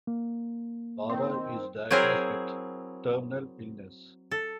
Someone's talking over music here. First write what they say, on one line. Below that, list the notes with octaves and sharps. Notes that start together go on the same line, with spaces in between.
Laura is diagnosed with terminal illness.
A#3
D#3 C4
F#3 C4 E4 G#4 A#4 C5
A4